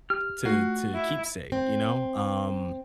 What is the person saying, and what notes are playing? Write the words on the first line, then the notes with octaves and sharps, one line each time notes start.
to to keepsake, you know? Um
G4 F6
A3 F4 F#4 C7
E4
C4